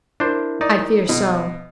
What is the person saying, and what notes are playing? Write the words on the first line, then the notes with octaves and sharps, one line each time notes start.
"I fear so."
D4 E4 A#4 C5
D#4 D5
B2